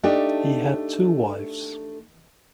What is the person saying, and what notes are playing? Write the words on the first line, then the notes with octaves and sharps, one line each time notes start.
He had two wives.
A3 D4 D#4 G4